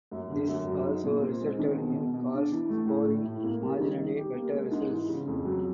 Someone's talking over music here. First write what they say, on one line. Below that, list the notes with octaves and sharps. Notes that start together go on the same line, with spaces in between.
This also resulted in cars scoring marginally better results.
F#2
D3
F#2
F#3
D#4
A#2
C4
G#3
D#3
B2
B2
B2
D4
E3
A3
A2
A2
A2
A#3
G3
D#3
D#4
G4
A#3
G#3
G#2
E3
C#3
F2
F#3